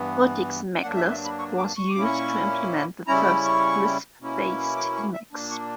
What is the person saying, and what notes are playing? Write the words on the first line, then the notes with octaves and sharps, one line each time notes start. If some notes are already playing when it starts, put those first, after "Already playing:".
Multics Maclisp was used to implement the first Lisp-based Emacs.
Already playing: G2 E3 B3
G2 F#3 A#3 D4 F#5
E5
E5
B5
C#6
D6
C#6
D6
A#2 A#3 C#4 E4
C#6
C#3 G3 C#4 E4 A#5
G5
C#6
B2 A#3 C#4 E4
D6
C#6
E5
A#2 A#3 D4
C#6